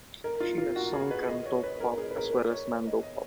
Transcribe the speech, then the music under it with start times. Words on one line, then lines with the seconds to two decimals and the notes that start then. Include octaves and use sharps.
She has sung cantopop as well as mandopop.
0.24 A#4
0.40 F4
0.58 F4
0.76 F#4
0.93 G#4
1.11 B4
1.28 D#5
1.46 C#5
1.63 B4
1.80 A#4
1.98 G#4
2.11 B4
2.15 A#4
2.32 B4
2.51 C#5
2.86 D#5
3.03 D#5